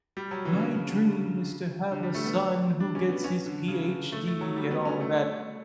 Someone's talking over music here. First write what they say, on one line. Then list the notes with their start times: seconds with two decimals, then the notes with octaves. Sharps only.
"My dream is to have a son who gets his PhD," and all of that,
0.17 G3
0.31 F#3
0.45 E3
0.53 C#3
0.60 D3
0.74 C#3
0.89 D3
1.92 D3
2.03 G3
2.15 A3
2.26 B3
2.80 D4
2.95 C#4
3.09 B3
3.24 C#4
3.46 D3
3.68 C#3
3.82 D3
4.12 A3
4.27 A3
4.41 F#3
4.56 G3
4.71 B3
4.85 C#4
5.00 A3